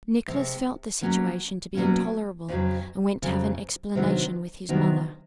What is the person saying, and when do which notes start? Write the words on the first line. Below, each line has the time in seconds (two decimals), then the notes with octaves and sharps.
Nicholas felt the situation to be intolerable and went to have an explanation with his mother.
0.28 C3 F3 G#3 C4
1.01 B2 F#3 A#3 C#4
1.74 B2 F#3 A#3 C#4
2.48 F2 C#3 F#3
3.22 F2 C#3 F#3
3.95 C3 D#3 F#3 B3 D4
4.69 C3 D#3 F#3 B3 D4